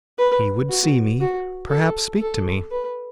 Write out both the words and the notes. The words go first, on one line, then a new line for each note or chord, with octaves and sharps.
He would see me, perhaps speak to me!
B4
F#4
F#4
A4
A4
B4